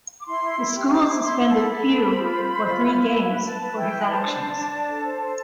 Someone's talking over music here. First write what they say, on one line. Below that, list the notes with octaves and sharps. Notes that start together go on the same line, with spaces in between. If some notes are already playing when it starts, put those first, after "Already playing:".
The school suspended Few for three games for his actions.
D6
E4 C6
E4
E4
G4
C5 D6
E4
E4 C6
E4
A5
A4 B5
A4
A4
C5
F4
C5
C5
F4
E4
E4
B4
B4
B4 A5
B4
E4 G5
B4
C5 A5
D4
D4
D4
D4
A4
C5
C5